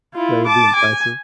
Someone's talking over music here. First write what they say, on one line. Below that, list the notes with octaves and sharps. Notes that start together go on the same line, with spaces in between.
That would be impressive.
E4 F4
A5 D6
G#5